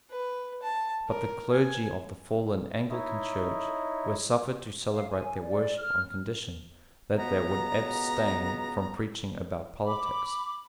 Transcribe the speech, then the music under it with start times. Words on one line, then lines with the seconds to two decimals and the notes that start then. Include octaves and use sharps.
But the clergy of the fallen Anglican Church were suffered to celebrate their worship on condition that they would abstain from preaching about politics.
0.10 B4
0.63 A5
1.08 A#4
1.52 G#5
2.90 D#4 E4 C#5 D#5 E5
4.93 F5
5.09 G#5
5.43 D5
5.76 F6
7.17 C#2 B2 B3 A#5
9.82 B5 D6